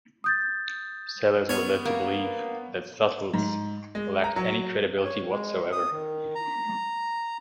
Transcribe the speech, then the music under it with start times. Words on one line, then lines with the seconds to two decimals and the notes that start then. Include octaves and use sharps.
Sellers were led to believe that Suttles lacked any credibility whatsoever.
0.24 D#6 G6 A6
1.49 B3 C#4 C#5
1.85 A#3
3.34 G#2
3.95 G#3
4.24 A#5
4.36 F#3
5.04 C#5
5.30 G#3
5.72 D#6
5.92 D#3
6.35 A#5